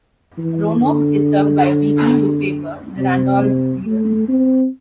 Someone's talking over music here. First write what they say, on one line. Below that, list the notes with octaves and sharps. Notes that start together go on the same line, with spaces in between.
Roanoke is served by a weekly newspaper, "The Randolph Leader".
E3
D3
C3
A3
C4